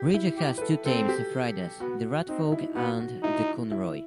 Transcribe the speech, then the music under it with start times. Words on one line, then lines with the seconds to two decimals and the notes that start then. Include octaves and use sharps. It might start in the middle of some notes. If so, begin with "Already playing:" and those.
Regia has two teams of riders: "The Radfolc" and "The Conroi".
Already playing: G4
0.14 E4
0.37 G4
0.58 B4
0.62 A4
0.86 C4 A4
1.09 G4
1.80 B3 F#4
2.28 C4 D#4
2.52 E4
2.75 B3 F#4
3.00 F#4
3.23 D#4 E4
3.72 E4